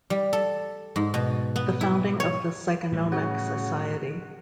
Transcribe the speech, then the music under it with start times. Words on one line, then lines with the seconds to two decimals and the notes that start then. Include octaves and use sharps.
The founding of the Psychonomic Society.
0.10 G3
0.33 A4
0.96 G#2
1.14 B2
1.56 B3
1.81 E4
2.20 C#5
2.92 A2 G3
3.12 C#3 F#4